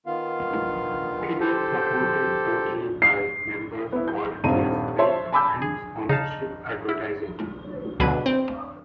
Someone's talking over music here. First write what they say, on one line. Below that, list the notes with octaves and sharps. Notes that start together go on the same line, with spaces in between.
It is supported totally by members, volunteers, faith and sponsorship advertising.
D#3 B3 F4 F5
G4 A4 C5
C7
B3 E4
G6
D#1 G2 C4 D#4 D#7
C5 C#5 E5 A5 C6
G#5 A5 B5 D6 E6 G6
G#4
C#3 D#4 F5 A5
E4
C#2 B2 D3 F#3 B4 D#7
C4